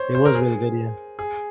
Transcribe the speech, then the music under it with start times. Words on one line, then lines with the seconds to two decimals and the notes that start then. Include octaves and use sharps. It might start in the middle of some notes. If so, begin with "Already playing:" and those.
It was really good, yeah.
Already playing: C5 C#5
0.15 C5
0.25 A#4
0.35 G#4
1.19 G#4